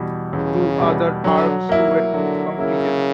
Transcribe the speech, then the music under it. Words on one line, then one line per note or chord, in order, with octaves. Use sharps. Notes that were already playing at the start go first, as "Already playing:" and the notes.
Two other arcs were completed.
Already playing: E2 B2 G3
E2 C#3
B2 G3
D3 F#3
A#3 E4
D3 F#3
C#3 A#3 E4